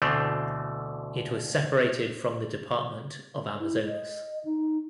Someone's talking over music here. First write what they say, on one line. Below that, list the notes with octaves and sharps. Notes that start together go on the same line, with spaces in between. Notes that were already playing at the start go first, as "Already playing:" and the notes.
It was separated from the Department of Amazonas.
D2 B2 D3 E3 A3 C4
E4
D#5
D#4